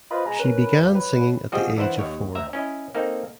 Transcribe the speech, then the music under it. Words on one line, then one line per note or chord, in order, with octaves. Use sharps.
She began singing at the age of four.
F4 B4 C5 D#5 B5
B2 G#3 G#5 A#5
C#4 A#4 B4
D2 G2
F#3 B4
F3 G3 C4 F#4 G#4 D#5
E3 D4 E4 C5 F#5
D#2 C#5
D2 E5 A#5
C#4 E4 D#5
A#3 C4 D#4 A4